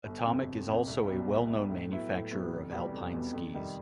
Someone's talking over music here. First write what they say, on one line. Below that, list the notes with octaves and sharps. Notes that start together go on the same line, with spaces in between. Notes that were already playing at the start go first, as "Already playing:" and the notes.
Atomic is also a well-known manufacturer of alpine skis.
G1
F2 C3
G1
F2 C3
C2
B2 G3
C2
B2 G3
A2
F#3 B3 E4
A2
F#3 B3 E4
F1
E2 B2 G3 B3
F1
E2 B2 G3 B3
F2
C3 D#3 G3